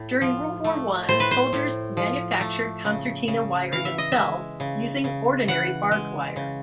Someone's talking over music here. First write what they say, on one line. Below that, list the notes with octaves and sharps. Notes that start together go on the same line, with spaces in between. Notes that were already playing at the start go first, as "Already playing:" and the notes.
During World War One soldiers manufactured concertina wire themselves, using ordinary barbed wire.
Already playing: A2
F3
A3
A2 C5
B4
C5
A2
F3
A3
C#3
C#3
E3 F5
E5
D#5
G#3 E5
C#3
C#3
E3 F#5
G#3
C#3